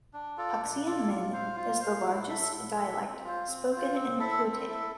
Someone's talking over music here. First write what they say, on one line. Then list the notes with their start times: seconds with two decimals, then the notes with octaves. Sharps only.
Puxian Min is the largest dialect spoken in Putian.
0.13 D4
0.37 F4 A4 D5
0.62 D4
0.85 F4 A4 D5
1.08 F4
1.33 C5 F5
1.56 F4
1.80 C5 F5
2.04 E4
2.28 A4 E5
2.52 E4
2.76 A4 E5
3.00 C4
3.24 F4 C5
3.47 C4
3.72 F4 C5
3.95 C4
4.19 E4 A4 E5
4.43 C4
4.68 E4 A4 E5